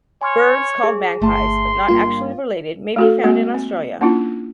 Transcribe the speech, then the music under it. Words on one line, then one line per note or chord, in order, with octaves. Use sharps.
Birds called magpies but not actually related may be found in Australia.
C#5 G#5 C6 F6
G#4
G1 A3 A5 C6
G2 A#3 F4
A3 F#4 A4
G#3 A#3 C4 F#4
C4
A#3 C#4 D4 E4 F4